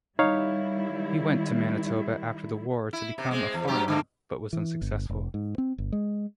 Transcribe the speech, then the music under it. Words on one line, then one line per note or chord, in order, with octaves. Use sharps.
He went to Manitoba after the war to become a farmer, but was unsuccessful.
D#3 G3 D#4 E4 C#5 F5
E4
C3
G#3 C4
E2
G2 F#3 G4
D3 A3 A#3
E3
G1
F1
G#2
C4
G1
G#3